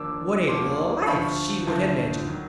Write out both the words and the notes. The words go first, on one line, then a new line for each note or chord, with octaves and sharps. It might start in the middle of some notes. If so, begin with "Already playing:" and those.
What a life she would have led you!'
Already playing: D#2 D3 F3 A#3 D4 D6 E6
D#2 D3 F3 A#3 D4 C6 D6
D2 D3 F3 B5 C#6
D2 D3 F3
D#3 F#3